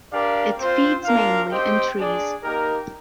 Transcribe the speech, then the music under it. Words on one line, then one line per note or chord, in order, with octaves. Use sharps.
It feeds mainly in trees.
D4 G4 A#4 D5 F5
C4 F4 C5
D4 F4 A#4 F5
C4 G4 C5 D#5 G5
D4 G#4 D5
A#3 D#4 G4 A#4